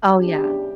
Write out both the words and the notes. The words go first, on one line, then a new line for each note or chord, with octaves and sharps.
Oh, yeah.
E2 C#3 G3 D4 G4